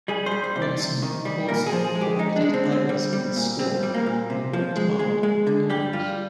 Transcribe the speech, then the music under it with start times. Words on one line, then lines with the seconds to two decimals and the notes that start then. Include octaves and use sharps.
Rimsky also corrected errors in the score and worked hard with the chorus.
0.08 G3 G#4
0.26 C5
0.31 G3
0.44 C5
0.56 C3
0.62 D5
0.79 C3
1.02 D#3
1.25 G3
1.49 A#2 A#4
1.66 G#4
1.72 F3
1.84 G#4
1.95 G#3
2.01 G4
2.19 G#3 D#4
2.36 D4
2.42 G#3
2.54 C4
2.65 D3
2.72 C4
2.89 G3
3.13 G3
3.36 A#2
3.59 G3 C4
3.83 G3
3.94 A#3
4.07 A#2
4.30 C3
4.53 F3
4.76 G#3
4.99 G#3
5.23 G#3
5.47 D3
5.70 G3 G4
5.93 G3 F4